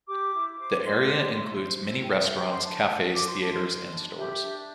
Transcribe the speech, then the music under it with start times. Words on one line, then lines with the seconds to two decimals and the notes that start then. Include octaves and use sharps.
The area includes many restaurants, cafes, theaters and stores.
0.07 G4 D6
0.33 E4
0.58 C5 D6
0.84 E4 C6
1.09 G4
1.35 E4
1.60 C5
1.86 E4
2.03 G5
2.11 C5 E5
2.24 E5
2.37 C5 G5
2.50 C6
2.62 D4 A5
2.88 D4
3.13 C5 D6
3.25 C6
3.38 C5 A5
3.50 C6
3.65 D4
3.90 D4
4.15 G4 E5
4.41 D4